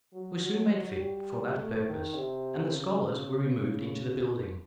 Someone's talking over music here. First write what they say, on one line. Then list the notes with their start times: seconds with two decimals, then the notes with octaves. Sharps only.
It was soon made fit for that purpose, and the scholars were removed into the building.
0.13 F#3
0.43 F#3
1.00 G3
1.57 A3
1.86 D#3
2.16 C3
2.73 C#3